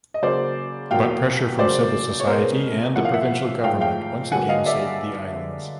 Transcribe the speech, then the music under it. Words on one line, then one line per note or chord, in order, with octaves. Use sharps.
But pressure from civil society and the provincial government once again saved the islands.
D#5
C#3 F#3 A#3 C5 D5
E2 B2 F#3 A#3 F5 G5
C#3 F#3 A#3 C5 D5
C#5
B2 G#3 B3 A#4 C5
A2 F3 A#3 F#5
F5
E5 F#5
G#2 F3 A3 F5 G5
F5 G5
G2 D3 F#3 A#3 F#5 G#5
D#5 F5
D5 E5